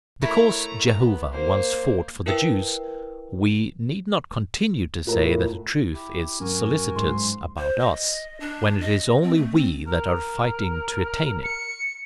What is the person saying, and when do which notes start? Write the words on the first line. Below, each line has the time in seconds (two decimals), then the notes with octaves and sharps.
Because Jehovah once fought for the Jews, we need not continue to say that the truth is solicitous about us, when it is only we that are fighting to attain it.
0.21 A3 E4 A#4 C#5 A#5
0.98 B3
1.32 A#3 C5
2.26 E4 A#4 B4 E5 G5 E6
5.07 A2 F4 A#4 A#5
5.94 E4 G4
6.40 G2 F#3 C#4 F#4 A#4 G#5
6.96 G#2 C6
7.58 C5
7.79 D#5
8.40 D4
8.81 D#5
9.22 C4
9.36 A3
9.54 C4
9.87 A#4
11.44 C#7